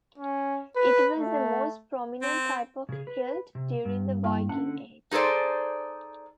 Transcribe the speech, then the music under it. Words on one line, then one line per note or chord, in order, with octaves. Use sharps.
It was the most prominent type of hilt during the Viking Age.
C#4
B4
A3
C4
C#3 G#4
B4
C3
G2
A#3 E4 G5
D3 C#4 F#5
D#4 G#4 A4 C5 D5